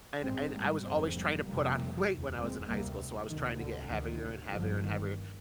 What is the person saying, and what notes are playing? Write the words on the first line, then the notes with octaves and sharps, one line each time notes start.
and and I was always trying to put on weight when I was in high school, so I was trying to get heavier and heavier and heavier,
G#1 G#2 G#3 C4
G3 A#3
F1 F2 C3 G#3 C4
G3 A#3
F1 F2 C3 G3 A#3
F1 D#2
G#3 C4
D2 C3 G3 A#3
D2 C3 D#3
D3
D2 C3 D#3
G1 G2 D3 F3
D#3